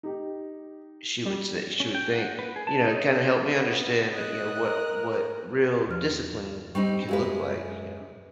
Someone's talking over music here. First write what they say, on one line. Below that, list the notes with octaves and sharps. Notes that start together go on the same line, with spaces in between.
she would say she would think, you know, it kinda helped me understand that, you know, what what real discipline can look like, you know?
D#4 G4
G3
C#4
G5
F#5
B4
G#4
A5
D#4
D#5
B3
D#5 F#6
A#4
E2 F3 F6
G3 C4 D#4 C#6
F#2 G#3 F#4 G4 B4 F5